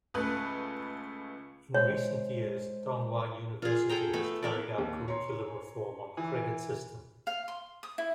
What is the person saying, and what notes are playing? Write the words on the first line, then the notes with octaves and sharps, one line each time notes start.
In recent years Donghua University has carried out curriculum reform on the credit system.
C#2 A3 B4 F#6
G#3 C5 C#5
F4 G#4
G#4 A4 G5 A#5
A3 B3
B3 A#4 D5
D#2
C#5 A#5 C6
E3
F5
C6
D#6
E4